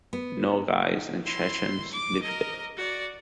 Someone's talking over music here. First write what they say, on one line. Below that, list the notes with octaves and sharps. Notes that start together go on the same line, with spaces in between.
Nogais and Chechens live there.
B3
E4 C6
D6
A#4 D#5
F#4 D5